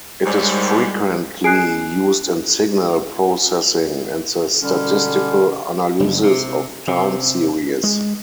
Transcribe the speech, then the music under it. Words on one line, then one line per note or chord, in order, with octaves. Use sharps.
It is frequently used in signal processing and the statistical analysis of time series.
D#2 G#2 G3 G#3
G#4 F#6 C7 D7
B2 D3 G3 C#4
F#1
C3
C3
G#3